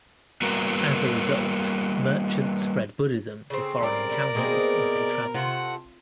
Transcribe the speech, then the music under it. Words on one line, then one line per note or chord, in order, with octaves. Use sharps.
As a result, Merchants spread Buddhism to foreign encounters as they traveled.
G3 A#3 B3 F#4 A#4
C#3 A3 C4
G3 A#4 D5
G3
B2 G#3 A#3 C4 D#4 G#4
C3 A3 F4 F#5